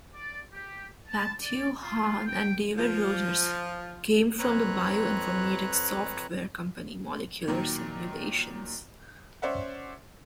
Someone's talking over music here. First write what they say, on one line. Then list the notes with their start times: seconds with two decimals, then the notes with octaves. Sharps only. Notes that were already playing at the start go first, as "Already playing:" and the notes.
Mathew Hahn and David Rogers came from the bioinformatics software company Molecular Simulations.
0.13 D5
0.53 G4
1.08 A5
1.42 D5
1.82 F4
2.26 G5
2.78 F3 F4
4.39 F2 C4 B4 C#5 A#5 F#6
7.48 A#2 D#3 F#3
9.42 C#4 C5 D5 E5 F#5